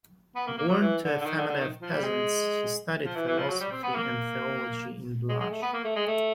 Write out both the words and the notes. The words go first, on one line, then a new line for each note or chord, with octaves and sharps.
Born to a family of peasants, he studied philosophy and theology in Blaj.
B3
A#3
A#3
F#3
E3
D3
D3
D#3
D3
D3
D#3
F3
G3
G#3
F3
E3
E3
F3
F#3
G3
C4
B3
A#3
G#3
G#3
A3
B3
A#3
A3
G#3
A3